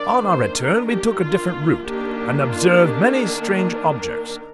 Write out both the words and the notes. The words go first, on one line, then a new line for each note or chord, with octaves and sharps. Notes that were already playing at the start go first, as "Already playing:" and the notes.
On our return we took a different route, and observed many strange objects.
Already playing: D#3 A#3 D4 D5
C5
A#4
G4
F4
D#3 A#3 D4 G4
F4
G4
G#4
A#4